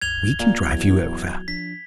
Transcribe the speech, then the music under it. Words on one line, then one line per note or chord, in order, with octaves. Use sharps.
We can drive you over.
C2 F#2 F6 G#6 F7 G7
A#2
E2 F#3 E4 F#4
F3 D4 B6